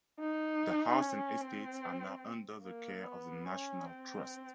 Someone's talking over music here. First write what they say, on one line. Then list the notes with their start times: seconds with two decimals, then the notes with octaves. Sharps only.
The house and estate are now under the care of the National Trust.
0.20 D#4
1.01 C#4
1.41 C4
2.63 A#3
3.04 B3
3.45 C#4
3.86 C4